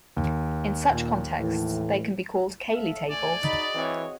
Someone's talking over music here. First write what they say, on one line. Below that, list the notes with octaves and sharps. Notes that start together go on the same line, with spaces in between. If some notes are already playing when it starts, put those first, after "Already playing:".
In such contexts they can be called Cayley tables.
D#2
A#2
A2 E3
A4 E5 F5
A3 D5 G#5
D#4 F#4 G#4 D#5 B5 A6
E3 C4 C#5